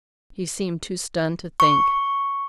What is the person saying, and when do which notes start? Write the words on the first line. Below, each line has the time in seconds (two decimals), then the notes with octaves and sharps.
He seemed too stunned to think.
1.60 C#6